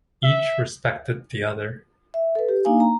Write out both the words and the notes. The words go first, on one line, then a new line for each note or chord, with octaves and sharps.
Each respected the other.
E5
E5
A4 B4
G4
A#3 D4 D#4 F5 G#5
A#5